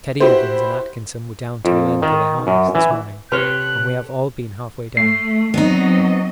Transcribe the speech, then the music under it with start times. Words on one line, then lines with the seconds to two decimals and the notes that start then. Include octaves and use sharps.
Teddy Evans and Atkinson were down to the length of their harness this morning, and we have all been half-way down.
0.20 E4 F#4 G4 B4 C5
1.65 F2
2.02 D#3
2.47 F#2
2.75 E3
3.32 C3 G4 A4 B4 C#5 A5 C6 F#6
4.97 A3 C7
5.54 F#3 B3 C4 D#4 D#5